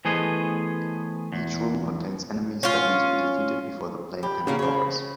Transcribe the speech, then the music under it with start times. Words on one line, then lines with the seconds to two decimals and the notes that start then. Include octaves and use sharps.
Each room contains enemies that need to be defeated before the player can progress.
0.05 E3 A3 B3 G#4 C5 D#5
1.32 E2
2.63 C#4 F4
4.23 G4 B5
4.47 C#3 F#3 A#3 C#4
4.59 C4 C#5